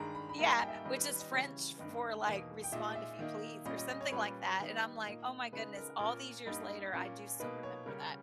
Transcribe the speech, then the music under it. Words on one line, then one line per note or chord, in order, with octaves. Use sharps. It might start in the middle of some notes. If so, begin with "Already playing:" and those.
Yeah, which is French for, like, "Respond if you please," or something like that. And I'm like, "Oh, my goodness, all these years later, I do still remember that."
Already playing: G2 D#3 G#3 A#5
B5
B5
G#2 G3 A#3 D#4 A#5
G#5
G5
E5
G5
D#3 G3 C#4 D#5
B4
B4
D#5
C#3 E3 G3 C#5
G2 D#3 G3 B3 D#5
E2 B2 A#3 D#4
G5
A#2 G#3 D#4 E5
E5
D#3 A#3 D#4
A#2 G3 C#4 D#5
D#5
D#5
C#5
A#2 G3 C#4 B4
D#3 G3 B3 D#4
A#2 A#3 D#4
C#3 G#3 D#4 B4
A#4
A#2 A#3 C#4 A#4
G2 G3 A#3 D#4
A#2 A#3 C#4
B2 A#3 D#4 B4
C#5
C#3 G3 C#4 A#4